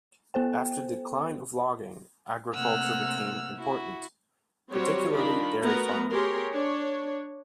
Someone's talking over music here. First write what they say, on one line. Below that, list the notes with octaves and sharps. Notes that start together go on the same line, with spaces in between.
After the decline of logging, agriculture became important - particularly dairy farming.
B3 A4 C5 G5
C3 A3 A#3 F#5 E6 F6
E4 F#4
F#3 G3 C4 F#4 C5 C#5
D#3 D4 F4 A#4 B5
A3 B3 F#4 A#4 B4 A#5
G4 G#4 A#4 C#5 C6
D4 C#5